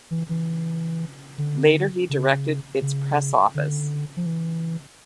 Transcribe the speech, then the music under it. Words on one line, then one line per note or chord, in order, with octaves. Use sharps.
Later he directed its press office.
E3
E3
D3
C#3
C#3
D3
F3
E3